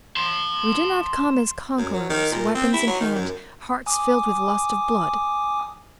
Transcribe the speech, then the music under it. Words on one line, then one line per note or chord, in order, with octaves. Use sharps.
We do not come as conquerors, weapons in hand, hearts filled with lust of blood.
A5 C6
F#2
F#3
D#3
A#2
C4
E4
F#3
D#3
F#2
G#5 D6 D#6